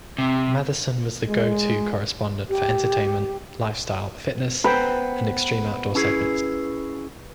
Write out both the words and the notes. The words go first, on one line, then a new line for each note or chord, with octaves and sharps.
Mathison was the go to correspondent for entertainment, lifestyle, fitness, and extreme outdoor segments.
C3
G#3
G4
B3 B4 C5 G5
C#4 E4 G#4